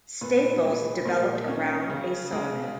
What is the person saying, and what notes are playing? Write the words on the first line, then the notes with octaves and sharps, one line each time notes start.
Staples developed around a sawmill.
A#2 B4
G#3
A#2 A#4
C#4
C#3
G#3